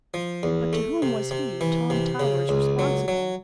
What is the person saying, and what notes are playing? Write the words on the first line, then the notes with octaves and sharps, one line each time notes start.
But to whom was he, Tom Towers, responsible?
F3
E2
A3
C3
C3
E3
C3
C#3
C#2
F#3
F#3